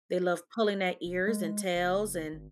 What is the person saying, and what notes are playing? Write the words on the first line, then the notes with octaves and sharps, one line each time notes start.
They love pulling their ears and tails and,
E1
G#3
F#1
G#1